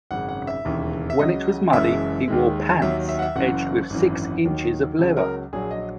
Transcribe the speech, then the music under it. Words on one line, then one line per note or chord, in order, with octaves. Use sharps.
When it was muddy, he wore pants edged with six inches of leather.
G#1 F#2 C#3 F#5
F#5
E5
E1 D#2 C#3 E3
E5
C#2 C#3 F#3 D#5
F#1 F#2 E3 G#3 E5
D#2 D#3 G#3
D#2 D#3 F#3 E5
E5
F#5
E5
F#1 F#2 E3 F#5
G#1 F#2 E3
D#2 D#3 F#3
C#2 C#3 F#3
A#4
A#1 A#2 F#3 G#4
D#5